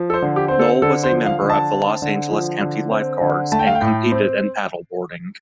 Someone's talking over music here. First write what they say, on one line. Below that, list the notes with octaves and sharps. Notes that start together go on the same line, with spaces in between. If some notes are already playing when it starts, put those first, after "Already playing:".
Noll was a member of the Los Angeles County Lifeguards and competed in paddleboarding.
Already playing: F3
A4
C5
D3
G4
C4 C5
A4
D3 A4
C5
F3
F5
D3
A5
C4
D3
F3
D3
C4
D3
A3 A5
G5
F5
G5
A2
C4